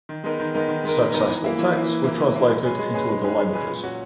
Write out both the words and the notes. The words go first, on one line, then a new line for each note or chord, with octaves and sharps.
Successful texts were translated into other languages.
D#3
G#3 B3 D#4 A#4
D#3
G#3 B3 D#4 A#4
D#3
G#3 B3 D#4 A#4
D#3
G#3 B3 D#4 A#4
E3
A#3 E4
E3
A#3 E4
E3
A#3 E4
E3
A#3 E4
G#3
C#4 G#4 B4
G#3
C#4 G#4 B4
G#3
C#4 G#4 B4
G#3
C#4 G#4 B4
A#2
F#3 C#4 F#4